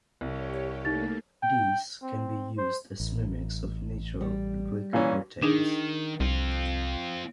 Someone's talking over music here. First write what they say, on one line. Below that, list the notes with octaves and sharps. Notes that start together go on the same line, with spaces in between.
These can be used as mimics of natural glycoproteins.
C2 G4 C#5
A3 A#3 D#4 A6
G5
C4
C5
A1
G3
A#2 E3 C#4
D#3 D4 D#4 G#4
C2 C4 F4